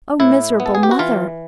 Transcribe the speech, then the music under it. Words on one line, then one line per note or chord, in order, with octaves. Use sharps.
'O miserable mother!
A2 E4
B3
A4
G#4
G4
F#4
E3 F4